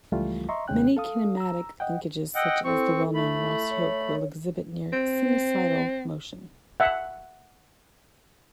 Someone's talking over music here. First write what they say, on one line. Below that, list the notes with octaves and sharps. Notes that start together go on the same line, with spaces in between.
Many kinematic linkages, such as the well known "Ross yoke", will exhibit near-sinusoidal motion.
C#2 E3 F3 G3 A3 F4
D#5 E5 A#5 C6 C#6
D#2 C3 G#3 C#4 G5 F#6
A4 F5 D#6
A#5 E6
D#5 F#5 G5
D#5 F#5 G5 E6
C4 E4 A4 C#6
A3 B5
C#5
C4
E5 F#5